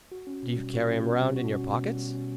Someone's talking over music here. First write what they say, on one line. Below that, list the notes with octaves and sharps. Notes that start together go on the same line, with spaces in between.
"Do you carry 'em round in your pockets?"
F#4
C#4
B2
G3
F#4
C#4
B2
G3
F#4
C#4
B2
G3
F#4
C#4